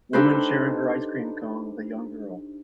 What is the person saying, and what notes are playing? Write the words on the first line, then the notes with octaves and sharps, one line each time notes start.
Woman sharing her ice cream cone with a young girl.
D4 D#4 G4 A4 B4 C5